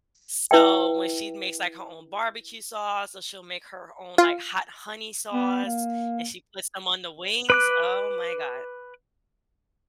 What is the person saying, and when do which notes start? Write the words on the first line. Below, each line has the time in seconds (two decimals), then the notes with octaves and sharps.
So, when she makes, like, her own barbecue sauce, so she'll make her own, like, hot honey sauce and she puts them on the wings, oh my god,
0.51 E4 B4 E5 G5
4.18 F4
5.33 B3
5.65 A#3
7.50 B4 D6 F#6